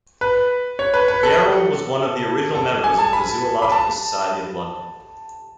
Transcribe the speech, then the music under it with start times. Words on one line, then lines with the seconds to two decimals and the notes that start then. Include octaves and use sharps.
Yarrell was one of the original members of the Zoological Society of London.
0.21 B4
0.79 C#5
0.94 B4
1.08 B4
1.23 A4
2.55 A4
2.84 G#5
2.98 A5
3.13 B5
3.62 B5
3.72 A5